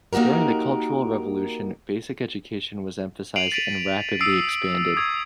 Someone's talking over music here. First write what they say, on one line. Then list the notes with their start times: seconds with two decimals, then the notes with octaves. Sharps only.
During the Cultural Revolution, basic education was emphasized and rapidly expanded.
0.13 A#3 D#4 F#4 G4 A#4
3.36 C7 D7 D#7 F7 F#7
3.52 A6 B6 C7 D7 D#7 F7
4.21 D#6 E6 C7 D7
4.96 C#6 D#6 G#6